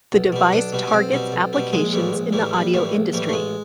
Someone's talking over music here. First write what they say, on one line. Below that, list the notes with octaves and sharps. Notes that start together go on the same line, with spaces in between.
The device targets applications in the audio industry.
B1
B2 G3
B1 D4
B2 G3
C#4
B1 C4
B2 G3
B1
B2 G3
A#1 G#3
A2 E3 G3
A#1
A2 E3 G3
A#1 G3
A2 E3 G3
A#1
A2 E3 G3
A3
A1 G#3